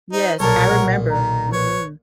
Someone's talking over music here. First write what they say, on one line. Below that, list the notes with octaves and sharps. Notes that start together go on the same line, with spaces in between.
Yes, I remember. Mhm.
D#4 C5
B1 A#2 A#4 C#5 A5
F#5
D#3 A#5
B4 C#5